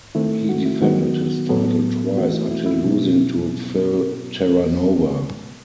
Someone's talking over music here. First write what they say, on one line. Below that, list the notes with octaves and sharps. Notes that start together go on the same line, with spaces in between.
He defended his title twice until losing to Phil Terranova.
D#3 A3 C4 E4
F#4
E4
D#3 F#3 B3 F#4
A2 F#3 B3 A4
E3 A3 C4 F#4
E4
E4
E4
B2 F#3 B3